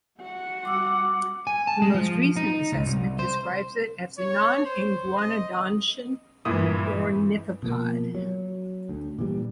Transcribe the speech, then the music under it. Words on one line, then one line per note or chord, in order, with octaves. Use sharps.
The most recent assessment describes it as a non-iguanodontian ornithopod.
F#4 F#5
G3 D6 E6
G#5
A5
G#3
F3
D#4
C#2
C2
C5
C#5
C5
D#5
G2 A#2 E3 E4 D#6
B2 F3 A#3
F#3
D2
A#2 E3 G3